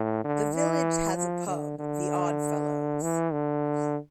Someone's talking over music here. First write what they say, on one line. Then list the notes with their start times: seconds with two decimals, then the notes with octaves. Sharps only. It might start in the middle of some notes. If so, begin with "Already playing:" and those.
The village has a pub The Oddfellows.
Already playing: A2
0.24 D3
0.54 E3
1.16 F3
1.47 D3
1.79 D3
3.02 E3
3.33 D3